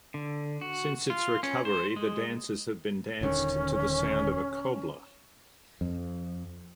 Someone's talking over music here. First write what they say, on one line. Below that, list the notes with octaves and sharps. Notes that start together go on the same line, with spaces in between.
Since its recovery, the dances have been danced to the sound of a cobla.
D3
F#4
F4
C#4
C5
G#3
D#1 D3 D#3 C#4
F2